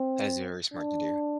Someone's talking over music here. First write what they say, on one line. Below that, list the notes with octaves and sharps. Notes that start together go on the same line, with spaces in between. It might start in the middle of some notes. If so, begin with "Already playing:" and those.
That is very smart to do.
Already playing: C4
D4